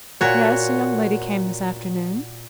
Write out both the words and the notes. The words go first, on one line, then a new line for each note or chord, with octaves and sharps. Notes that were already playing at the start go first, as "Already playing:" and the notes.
"Yes; a young lady came this afternoon."
A#2 F#4 C#5